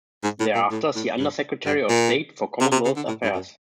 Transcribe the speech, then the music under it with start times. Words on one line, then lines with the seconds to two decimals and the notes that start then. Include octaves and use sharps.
Thereafter, see Under-Secretary of State for Commonwealth Affairs.
0.23 G#2
0.40 A2
0.55 A#2
0.71 A2
0.95 A2
1.19 G2
1.66 G2
1.89 A#2
2.60 C3
2.72 C3
2.85 C#3
2.96 D3
3.08 A2
3.23 G2
3.34 F#2